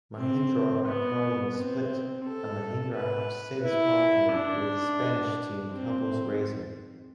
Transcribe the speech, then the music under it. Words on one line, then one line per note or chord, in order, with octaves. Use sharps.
Mahindra and Carlin split, and Mahindra have since partnered with Spanish team Campos Racing.
C4
B3
C4
A4
B4
E4
D4
C4